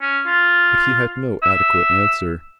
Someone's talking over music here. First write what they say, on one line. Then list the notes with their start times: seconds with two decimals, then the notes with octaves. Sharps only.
But he had no adequate answer.
0.02 C#4
0.27 F4
1.43 E5